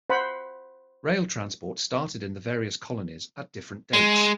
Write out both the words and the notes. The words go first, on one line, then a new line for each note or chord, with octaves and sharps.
Rail transport started in the various colonies at different dates.
C5 F#5 B5
G#3